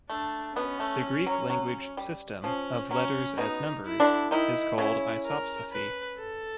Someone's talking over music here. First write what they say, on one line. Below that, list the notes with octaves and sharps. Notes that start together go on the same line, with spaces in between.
The Greek language system of letters-as-numbers is called isopsephy.
A3 D4
B2 B3 C#4
A3
F#3
F#3
G3
F3 C#4
F#3 C#4
B2 B3 D#4
E4
D3 D4
D#3 D#4 E4
C#3 C#4 E4
A#4
B4
A4